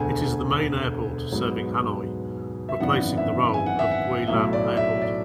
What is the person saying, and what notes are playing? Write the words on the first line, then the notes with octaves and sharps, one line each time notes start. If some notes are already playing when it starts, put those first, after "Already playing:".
It is the main airport serving Hanoi, replacing the role of Gia Lam Airport.
Already playing: E1 D2 D3 A3 G#5
G#2 F#3 B3
E5
G#1 F#2 E3 B3 D4 F#5
E5
G#5
F#5
E5
F#5
B1 A2 F#3 E5
D5
E5
D5